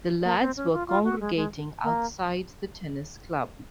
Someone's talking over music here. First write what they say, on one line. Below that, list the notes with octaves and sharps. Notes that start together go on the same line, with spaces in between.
The lads were congregating outside the tennis club.
A#3
C4
C#4
F4
F4
F#4
G#3
G#3
A#3